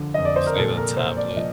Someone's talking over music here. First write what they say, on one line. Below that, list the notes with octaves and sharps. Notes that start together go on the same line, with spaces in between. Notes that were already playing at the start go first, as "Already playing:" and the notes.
play the tablet.
Already playing: D3 F3
F2 D#5
D5
C5
A#4
A#2 A4
A#4
A#2 C5
D5
F3 D#5